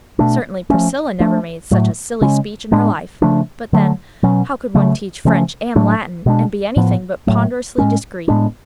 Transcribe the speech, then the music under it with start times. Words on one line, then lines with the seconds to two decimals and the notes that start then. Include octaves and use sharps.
Certainly Priscilla never made such a silly speech in her life; but then, how could one teach French and Latin, and be anything but ponderously discreet?
0.19 B2 A3 D4
0.70 F3 A3 C#4
1.20 F3 A3 D4
1.71 A2 F#3 A3
2.21 C#3 G#3 C#4
2.72 A2 G#3 B3 D4
3.22 C#3 F3 A3 D4
3.73 D3 F#3 A3
4.23 B2 F#3 C#4
4.75 C#3 F#3 A3
5.25 C#3 F3 A3 C#4
5.76 A2 F#3 A3 D4
6.26 B2 G#3 D4
6.77 A2 F3 B3
7.27 A2 F#3 A3
7.78 A2 G#3 C#4
8.28 A2 G#3 B3 D4